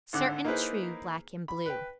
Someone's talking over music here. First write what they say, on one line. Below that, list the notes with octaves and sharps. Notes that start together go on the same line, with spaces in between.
Certain, true, Black and blue.
G#1 D3 D6 F#6
A#3 D#4 E4 G#4 B4 C5
B5
B4 G5